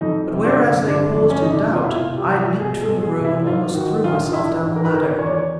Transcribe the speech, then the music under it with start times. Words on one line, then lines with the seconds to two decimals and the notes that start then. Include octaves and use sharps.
But whereas they paused in doubt, I leaped from the room and almost threw myself down the ladder.
0.01 F2 D#4
0.30 C3
0.44 D4
0.59 G1
0.87 G1 D4
1.09 D4
1.16 F2
1.30 C#4
1.42 C3 D#4
1.52 D4
1.73 B2 F4
1.84 E4
1.95 F4
2.02 C2
2.17 G4
2.31 C2
2.60 B2 G#4
2.81 A4
2.89 B2
3.03 G#4
3.17 C2
3.25 E4
3.46 G#2 F4
3.75 D#3 F#4
4.04 A#1 F4
4.32 A#1 E4
4.61 G#2
4.76 A#4
4.85 B4
4.90 D#3 A#4
5.19 E2 C#5
5.26 D5
5.33 C#5